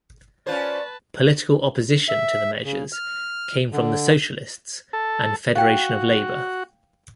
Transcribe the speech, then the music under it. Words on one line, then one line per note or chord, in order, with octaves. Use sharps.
Political opposition to the measures came from the socialists and Federation of Labour.
C#4 F4 B4 C5 D5 A5
E5
C#3
F6
D3
A4
F#4 F5 G5